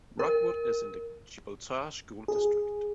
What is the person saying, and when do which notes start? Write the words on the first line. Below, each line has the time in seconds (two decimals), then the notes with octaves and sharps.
Rockwood is in the Gibraltar School District.
0.19 A#4
2.28 G#4